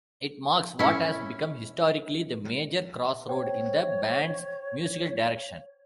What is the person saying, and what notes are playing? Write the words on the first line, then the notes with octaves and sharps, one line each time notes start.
It marks what has become historically, the major crossroad in the band's musical direction.
C#4 E4
C5 C#5 F#5 G5